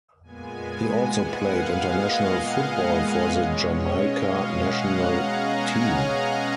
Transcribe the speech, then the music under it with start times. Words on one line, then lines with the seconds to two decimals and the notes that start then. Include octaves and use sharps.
He also played international football for the Jamaica national team.
0.23 A#2 G#3 B3 G#5
0.99 F#5
1.38 F5
1.76 D#5
2.52 D#5
3.28 B2 G#3 C#4 C#5
3.66 D#5
4.04 F5
4.42 F#5
4.80 A#5
5.18 G#5
5.56 A#5